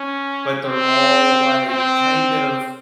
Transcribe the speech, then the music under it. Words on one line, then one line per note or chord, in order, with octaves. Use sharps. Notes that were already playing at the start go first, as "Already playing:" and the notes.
but they're all, like, kind of
Already playing: C#4
C4
C4